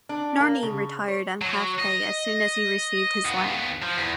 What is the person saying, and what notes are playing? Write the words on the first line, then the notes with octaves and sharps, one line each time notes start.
Nairne retired on half-pay as soon as he received his land.
D4
A#3
C#3
C#5
F#3
D#5
D#2 B3
F3
E2